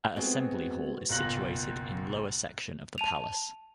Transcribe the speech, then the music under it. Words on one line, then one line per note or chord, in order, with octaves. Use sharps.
A assembly hall is situated in lower section of the palace.
G#3 B3 C4 F#4 G#4
F#1 B1 F4 F#6 A#6 F#7
A5 D#7 F7